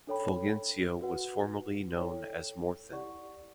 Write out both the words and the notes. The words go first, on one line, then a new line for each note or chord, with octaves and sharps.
Fulgencio was formerly known as "Morthon".
D4 A4 C#5 G5 B5
F#4 B4 F#5
E4 A4 C#5 G5
E4 G4 D5 F#5 C#6